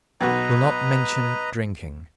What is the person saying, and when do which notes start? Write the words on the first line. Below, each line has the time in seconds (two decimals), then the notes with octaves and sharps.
Will not mention "drinking."
0.21 B1 B3 F#4 B4 D#5 A#5